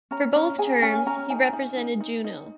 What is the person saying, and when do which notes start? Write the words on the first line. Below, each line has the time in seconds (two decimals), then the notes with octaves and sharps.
For both terms, he represented Juneau.
0.11 C#4 A#5
0.35 C#4 A#5
0.58 G#4 G#5
0.82 C#4 G#5
1.06 C#4 A#5
1.30 D#4 G#5
1.53 D#4
1.77 D#4
2.01 D#4
2.24 D#4